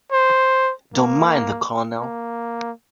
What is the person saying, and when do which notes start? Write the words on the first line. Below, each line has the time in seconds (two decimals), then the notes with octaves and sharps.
Don't mind the Colonel.
0.12 C5
0.94 A#3
1.99 A#3